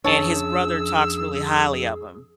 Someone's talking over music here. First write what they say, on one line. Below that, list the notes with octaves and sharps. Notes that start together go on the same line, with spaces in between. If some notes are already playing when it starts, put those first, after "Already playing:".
and his brother talks really highly of him,
F2 C#4 D4 G#4 C#5 A5 E6